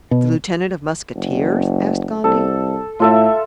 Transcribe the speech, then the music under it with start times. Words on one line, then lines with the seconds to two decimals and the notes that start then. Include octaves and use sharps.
"The lieutenant of musketeers?" asked Gondy.
0.11 B2
1.16 F#1
2.24 C2 A4
3.00 A2 F4 A4 E5